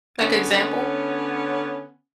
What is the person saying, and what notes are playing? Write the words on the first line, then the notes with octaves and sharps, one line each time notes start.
Like, example?
D3 B3 C#4